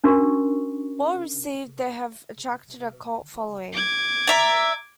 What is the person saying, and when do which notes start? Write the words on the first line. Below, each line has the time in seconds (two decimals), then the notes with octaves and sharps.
Well received, they have attracted a cult following.
0.04 C#4 D4 F#4 A#4 C#6
3.73 D6 G#6
4.27 D5 E5 A#5